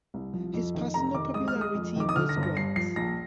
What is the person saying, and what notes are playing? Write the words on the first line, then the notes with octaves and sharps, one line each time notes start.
His personal popularity was great.
C2
F3
F2
D#3
F1 A#5
D#3 D6
G#3 D#6
F6
G#3
D#6
F2
D#3 D6
D#6
D3 F6
A#6
G1
A#6
G2 C7
F3 C7
A#1 A#6